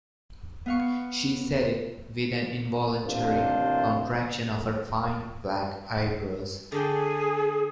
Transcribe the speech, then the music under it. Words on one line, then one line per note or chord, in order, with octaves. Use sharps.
She said it with an involuntary contraction of her fine black eyebrows.
B3 F5 C#6
A1 D#2 C3 D4 F4 C5
D3 G#4 A4 G5